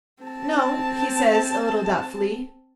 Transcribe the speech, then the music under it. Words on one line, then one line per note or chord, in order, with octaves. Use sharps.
"No," he says, a little doubtfully.
C4 A5